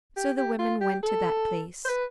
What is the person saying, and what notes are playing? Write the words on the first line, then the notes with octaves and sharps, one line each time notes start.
So the women went to that place.
G4
G4
F4
G4
A4
C5
B4